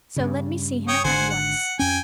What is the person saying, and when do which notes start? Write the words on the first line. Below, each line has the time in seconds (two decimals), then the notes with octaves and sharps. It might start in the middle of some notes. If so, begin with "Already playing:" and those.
So let me see him at once.'
0.16 G2 C#3
0.88 C#5 G5 D#6
1.04 G#1 D3 C5 F#5 G#5
1.30 F#5
1.79 F2 C#4 G5 G#5